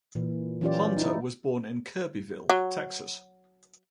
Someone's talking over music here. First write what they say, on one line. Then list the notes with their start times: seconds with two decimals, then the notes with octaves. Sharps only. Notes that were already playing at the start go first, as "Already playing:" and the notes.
Hunter was born in Kirbyville, Texas.
0.15 A#2 E3
0.61 E3 F#3 C#4 F4 G4 D5
0.97 D#4 E4
2.50 F#3